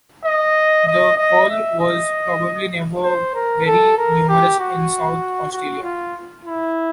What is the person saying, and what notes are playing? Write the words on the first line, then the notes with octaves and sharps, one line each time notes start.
The quoll was probably never very numerous in South Australia.
D#5
D#5
D#5
E5
D#5
C5
A#4
A4
A#4
G4
F#4
F#4
F4
E4